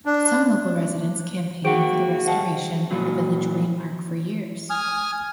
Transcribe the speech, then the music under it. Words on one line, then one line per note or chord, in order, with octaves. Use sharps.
Some local residents campaigned for the restoration of the Village Green Park for years.
D4
A#3 F#4 G#4 C5 F#5 G5 D7
D#5 F5 F#5 A5
A#2 E3 F#3
G#5 D#6 F6